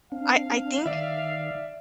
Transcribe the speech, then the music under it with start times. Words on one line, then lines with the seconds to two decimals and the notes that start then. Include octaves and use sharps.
I I think
0.12 C4 D4 F5
0.86 D#3 D5 E5